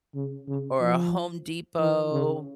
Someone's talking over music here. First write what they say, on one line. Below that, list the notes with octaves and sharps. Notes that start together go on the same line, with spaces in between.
or a Home Depot
C#3
C#3
F3
E3
C#3